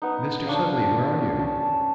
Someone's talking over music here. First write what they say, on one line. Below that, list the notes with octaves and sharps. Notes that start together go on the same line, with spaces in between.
"Mr. Sudley, where are you?"
B3 D#4
D4 C#5 F5
C#4 A5